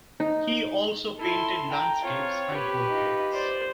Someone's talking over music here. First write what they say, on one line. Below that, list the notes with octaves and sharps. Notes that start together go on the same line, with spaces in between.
He also painted landscapes and portraits.
D#4
E4 A4 C6
G5 A#5
C4 F4 C#5
G4 B4
D#4 F4
C5 D5